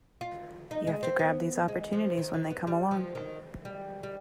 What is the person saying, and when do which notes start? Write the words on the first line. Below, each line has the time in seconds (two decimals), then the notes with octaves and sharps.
You have to grab these opportunities when they come along.
0.21 F4
0.71 D#4
0.87 G#3
1.03 C4
1.19 B3
1.68 G#3
1.93 F3
2.17 D#3
2.34 D#3
2.50 B3
2.67 G3
2.91 F3
3.15 D#3
3.65 G3
4.03 G3